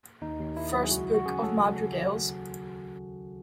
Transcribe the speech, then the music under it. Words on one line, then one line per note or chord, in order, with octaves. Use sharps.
First Book of Madrigals.
D#2 D#4
D#2
D#3 E4
F#3
G#4
C#2 F#4
C#2
F#4
C#3 G#4
F#3 A4